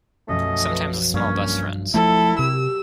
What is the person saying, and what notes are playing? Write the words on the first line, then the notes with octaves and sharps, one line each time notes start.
Sometimes a small bus runs.
B1 F#2 F3 A3 C#4 D#5
B4
G2 A#3 C#4 F4 D5
F3 A3 E4 A4
C3 G4 A#4 E6